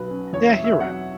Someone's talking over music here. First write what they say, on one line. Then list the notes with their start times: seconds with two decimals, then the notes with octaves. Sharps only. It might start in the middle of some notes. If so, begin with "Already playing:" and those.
yeah, you're right.
Already playing: B1 B2 B4
0.10 C#4
0.33 E2 C#5
0.49 E5
0.57 B2
0.64 E5
0.80 F#3 F#5